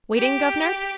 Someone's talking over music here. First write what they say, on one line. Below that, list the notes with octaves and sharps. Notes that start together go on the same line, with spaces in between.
Waiting, guvnor?
G4